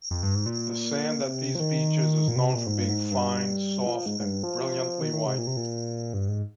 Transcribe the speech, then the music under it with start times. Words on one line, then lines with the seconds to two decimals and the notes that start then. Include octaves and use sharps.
The sand at these beaches is known for being fine, soft, and brilliantly white.
0.11 F2
0.23 G2
0.35 G#2
0.46 A#2
1.22 C3
1.55 F3
1.60 D#3
2.28 A#2
2.36 C3
2.55 A#2
2.66 G#2
2.78 G2
2.90 G#2
3.11 G2
3.87 F3
4.06 G#2
4.20 G#2
4.25 G2
4.44 F3
5.01 D#3
5.13 D#3
5.26 C3
5.38 A#2
5.47 C3
5.57 A#2
6.14 G2
6.28 G#2